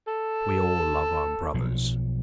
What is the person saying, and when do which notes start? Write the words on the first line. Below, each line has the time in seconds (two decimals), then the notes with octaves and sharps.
"We all love our brothers."
0.08 A4
1.54 B1 F3 F#3